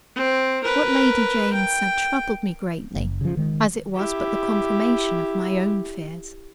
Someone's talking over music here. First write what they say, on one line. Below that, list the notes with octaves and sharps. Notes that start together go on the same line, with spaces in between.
What Lady Jane said troubled me greatly, as it was but the confirmation of my own fears.
C4
A#4 B4
G5
F#1
C#3 F3
D#3 G#3
E4 G4